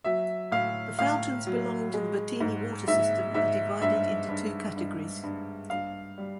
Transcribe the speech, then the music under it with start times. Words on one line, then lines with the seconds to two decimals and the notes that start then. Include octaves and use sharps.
The fountains belonging to the Bottini water system are divided into two categories.
0.04 F#3 E5
0.52 A2 F5
0.99 A2 F5
1.47 F#3
1.94 G#3
2.40 G#2
2.88 G#2 E5
3.34 G#2 E5
3.81 G2 E5
4.29 G2
4.76 G2
5.23 G2
5.70 G2 F5
6.18 G3